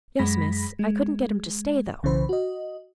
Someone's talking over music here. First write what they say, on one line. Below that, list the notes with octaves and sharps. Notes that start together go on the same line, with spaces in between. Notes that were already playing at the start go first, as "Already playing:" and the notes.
"Yes, miss, I couldn't get him to stay though."
F#2 G#3 B5 A#6 B6
G#3
B1 C#3 E3 C5 B5
F#4 D#5